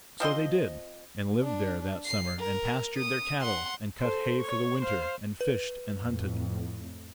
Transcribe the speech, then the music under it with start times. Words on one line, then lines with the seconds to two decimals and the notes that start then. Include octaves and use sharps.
So they did and lived there that summer and pastured their cattle and cut hay for the winter and fished and hunted.
0.20 F3 C4 D#5 C6
1.42 D4
2.05 C7
2.39 A#4
2.97 D#6
3.41 F#5 C6
3.99 A4 C5
4.40 C#5 C#6
4.81 C5 F5
5.41 B4
6.00 F2 A2